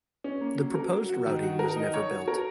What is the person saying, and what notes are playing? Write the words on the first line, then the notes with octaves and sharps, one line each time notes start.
The proposed routing was never built.
C#4
A#3
F#3
A#4
F#3
F#4
D#3
F#4
A#4
D#4
C#5
F#4
A#4